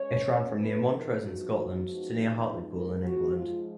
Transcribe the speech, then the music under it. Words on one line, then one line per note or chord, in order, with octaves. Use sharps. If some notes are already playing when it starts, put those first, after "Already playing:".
It ran from near Montrose in Scotland to near Hartlepool in England.
Already playing: C#3 G#3 C#4 C#5
C#3 F3 B3 D#4 B4
A#4
F#4
C#3 F3 G#3 B3 D#4
A#4
G#2 F3 G#3 F#4
F4